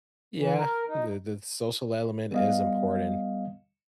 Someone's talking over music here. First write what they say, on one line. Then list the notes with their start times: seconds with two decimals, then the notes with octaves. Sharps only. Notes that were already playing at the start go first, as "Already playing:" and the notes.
yeah, the the social element is important.
0.38 E3
0.58 A#4
0.88 D#4
2.31 G3 B3 D#5 F5